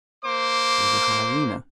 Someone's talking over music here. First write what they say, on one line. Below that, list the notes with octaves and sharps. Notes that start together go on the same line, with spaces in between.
It was a hyena.
A#3 C5 D6